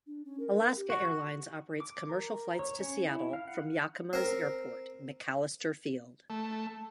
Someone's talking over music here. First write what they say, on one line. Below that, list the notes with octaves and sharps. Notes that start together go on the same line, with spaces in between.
Alaska Airlines operates commercial flights to Seattle from Yakima's airport, McAllister Field.
D4
C#4
A#4
G4
F#4
D6
A#4
C#5
C#4
E4
F5
F#5
C4 A#4
A3